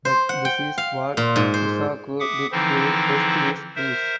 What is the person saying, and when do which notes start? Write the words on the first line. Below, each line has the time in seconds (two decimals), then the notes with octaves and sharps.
But this is what Shusaku did to test his skills.
0.05 C5
0.29 F#5
0.45 G5
0.78 F5
1.17 A#2
1.36 G#2
1.54 C5
2.20 E5 F#5 D6 D#6
2.52 D3 E3 F3 C4 D#4 E4
3.76 A#4 C5 E5